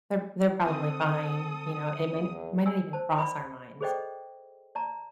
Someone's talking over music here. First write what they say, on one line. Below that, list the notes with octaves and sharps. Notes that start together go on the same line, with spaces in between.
they're they're probably fine," you know, it might n it might not even cross our minds,
D3 C4 A4 D#6
E2
D5 G#5 E6
C5 A5
D5 B5
G#4 A4 C5 D5 D#5 G5
D5 A5 A#5